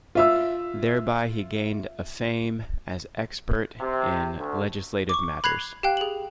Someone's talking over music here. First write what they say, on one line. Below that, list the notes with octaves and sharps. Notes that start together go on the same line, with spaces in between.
Thereby he gained a fame as expert in legislative matters.
F4 E5 E6
C3
D2
C#6 D6
B5 F#6 G#6 C7 F7
G4 F5 G5 F#6
G#4 F#7